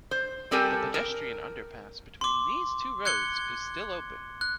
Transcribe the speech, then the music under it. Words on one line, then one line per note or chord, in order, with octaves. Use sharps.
The pedestrian underpass between these two roads is still open.
C5
G3 C4 G4 A4 A#4 G#5
A#4
C6 D6
F#6 G#6 C#7 G7
F#6